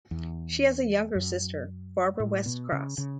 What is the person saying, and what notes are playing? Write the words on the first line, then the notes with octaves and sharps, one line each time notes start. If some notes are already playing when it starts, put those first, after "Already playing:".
She has a younger sister, Barbara West Cross.
E2
F#2
A2
B2
C#3
C#3